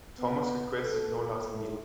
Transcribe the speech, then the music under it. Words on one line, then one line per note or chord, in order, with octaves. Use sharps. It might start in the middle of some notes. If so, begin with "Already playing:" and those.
Thomas requested no last meal.
B3
A4
A2